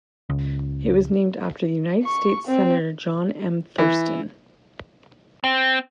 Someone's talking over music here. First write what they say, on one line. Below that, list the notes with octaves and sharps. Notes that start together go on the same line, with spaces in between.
It was named after the United States Senator John M. Thurston.
C#2
C#6
C4
E3
C4